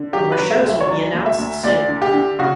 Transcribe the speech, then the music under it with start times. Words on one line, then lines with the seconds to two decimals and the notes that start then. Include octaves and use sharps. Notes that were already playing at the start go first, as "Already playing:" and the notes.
More shows will be announced soon.
Already playing: D3
0.13 F#3 G4
0.32 B4
0.38 F#3
0.51 E5
0.63 D2
0.69 E5
0.81 C#5
0.88 F#3 D5
1.13 D2
1.26 E5
1.38 D2
1.63 D2 D5
1.88 D3
2.02 G4
2.14 D3
2.39 C#3 F#4